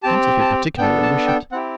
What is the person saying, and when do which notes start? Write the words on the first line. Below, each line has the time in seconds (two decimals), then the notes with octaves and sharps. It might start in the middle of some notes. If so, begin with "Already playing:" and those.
"Not if you particularly wish it."
0.03 C4 G4 A5
0.40 A5
0.78 B3 D4 A4 G5
1.03 A5
1.27 G5
1.52 C4 E4 G4 F#5